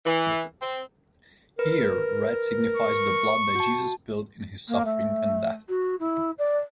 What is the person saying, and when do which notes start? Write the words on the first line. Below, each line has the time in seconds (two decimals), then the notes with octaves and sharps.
Here, red signifies the blood that Jesus spilled in his suffering and death.
0.05 E3
0.61 C4
1.59 A#4 B4
2.76 C#6
3.55 F#4 A5
4.68 A#3
4.85 A3
5.69 F#4
5.99 E4
6.38 D5